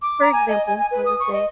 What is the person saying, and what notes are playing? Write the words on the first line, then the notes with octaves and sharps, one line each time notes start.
for example, I'll just say,
D6
A#5
G#5
D#5
G#5
G#5
B4
D#6
C#6
D#5